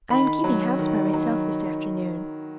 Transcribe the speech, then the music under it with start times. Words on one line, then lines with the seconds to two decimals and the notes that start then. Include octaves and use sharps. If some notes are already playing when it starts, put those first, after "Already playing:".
I am keeping house by myself this afternoon.
0.10 D#3 B5
0.44 F#3
0.79 D#3
1.13 F#3